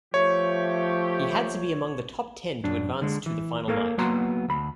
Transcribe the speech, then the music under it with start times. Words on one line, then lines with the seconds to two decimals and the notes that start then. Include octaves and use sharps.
He had to be among the top ten to advance to the final night.
0.14 F3 A3 G4 C#5
2.64 F#2 D4
3.02 D3 G#3
3.26 E3
3.68 A#3 A4 A#4 C#5 F5
3.98 F#3 A#3 B3 F#4 A#5 C6
4.48 D2 B5